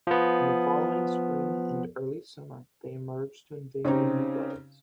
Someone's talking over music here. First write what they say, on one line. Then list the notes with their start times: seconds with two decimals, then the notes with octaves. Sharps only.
In the following spring and early summer they emerge to invade the new buds.
0.07 F3 B3
3.85 C#3 C4 C#4 D#4 G4